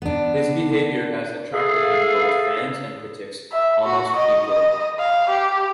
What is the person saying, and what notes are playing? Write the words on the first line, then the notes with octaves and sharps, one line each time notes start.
His behavior has attracted him both fans and critics almost equally.
B3 D4
G#4 A4 E5 F5
E5
F#4
D#5
D#5
F5
G4